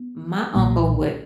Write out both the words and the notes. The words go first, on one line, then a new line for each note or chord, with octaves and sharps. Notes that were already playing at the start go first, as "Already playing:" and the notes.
my uncle would
Already playing: B3
B1 A#2 A#3
F#3